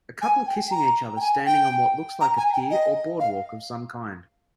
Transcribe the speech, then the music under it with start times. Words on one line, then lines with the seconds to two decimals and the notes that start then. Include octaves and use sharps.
A couple kissing each other standing on what looks like a peer or boardwalk of some kind.
0.22 G#5
0.47 G5
0.71 A#5
1.17 G5
1.21 G#5
1.46 G5
2.21 A#5
2.37 G#5
2.53 G5
2.70 D#5
3.20 F5